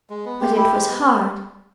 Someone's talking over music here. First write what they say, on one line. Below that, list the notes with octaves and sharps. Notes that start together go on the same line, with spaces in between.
But it was hard.
G#3
B3
G#3 G4
E4 G4
G#3
B3